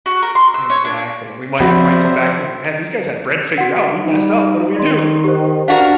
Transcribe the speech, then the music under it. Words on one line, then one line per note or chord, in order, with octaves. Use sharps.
Exactly, we might might go back and be, like, man, these guys had bread figured out. We messed up. What do we do?
F#4
A#4
C6
E6
C#5
D4
F3 C4 F#4 C5 D5 E5 B5
F#4 F#5
G3 D#4
D#3 D5 C6
G4 C5
D4 F#4 A#4 F5